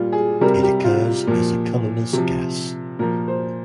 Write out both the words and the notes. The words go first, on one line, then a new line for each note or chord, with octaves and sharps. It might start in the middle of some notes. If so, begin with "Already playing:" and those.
It occurs as a colorless gas.
Already playing: A#2 G3 F4
G#4
C3 G3 A#4
G4
F4
A#2 F3
C3 F3
A#2 F3 A#4
C5